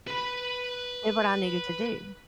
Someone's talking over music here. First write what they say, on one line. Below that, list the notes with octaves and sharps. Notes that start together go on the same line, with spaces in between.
did what I needed to do.
B4 B5